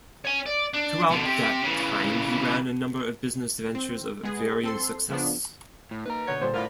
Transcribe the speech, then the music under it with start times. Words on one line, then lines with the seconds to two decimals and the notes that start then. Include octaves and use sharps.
Throughout that time he ran a number of business ventures of varying success.
0.25 C#5 G#5
0.46 D5
0.74 D4
1.10 B2 D3
1.25 C3 G4
1.64 C#3 E3
3.75 C4
4.23 G#3 B3 G#4
4.63 C4 A4 C6
5.10 C#3 F3 B3 D4
5.91 A2
6.06 A#3 D#4 B4 A#5
6.28 B2 D3 F#3 B3 C#5 G6
6.42 A#2 D3 G3 A4 C5
6.54 A2 D3 E3 F4 A#4 D5 B5